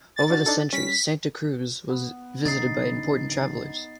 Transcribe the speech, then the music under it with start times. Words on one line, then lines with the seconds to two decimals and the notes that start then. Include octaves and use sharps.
Over the centuries Santa Cruz was visited by important travellers.
0.16 A6
0.30 D4 F#4
0.46 D4 D#4 A4
0.73 G3 C#4 B6
1.89 B3
2.45 D1 C#3 D4 D#4 A6 C7